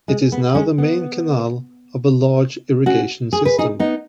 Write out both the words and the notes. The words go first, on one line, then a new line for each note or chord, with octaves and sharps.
It is now the main canal of a large irrigation system.
G#3
B3
G#3 C#4
B3
C#4 F#4
G#4
B4
D#4 G#4
B3 D#4